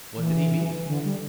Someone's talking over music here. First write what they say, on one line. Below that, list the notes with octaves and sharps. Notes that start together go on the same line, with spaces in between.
What did he mean?
E3
D3
G3